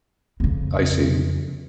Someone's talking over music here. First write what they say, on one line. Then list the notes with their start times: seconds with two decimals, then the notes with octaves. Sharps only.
I see.
0.40 F2 C#3